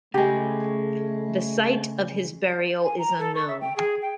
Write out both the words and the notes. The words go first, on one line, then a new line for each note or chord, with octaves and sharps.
The site of his burial is unknown.
C#3 G#3 A3 G4 G#5
G#5
A#5
A4
C#6
E5
G5
G#4
G5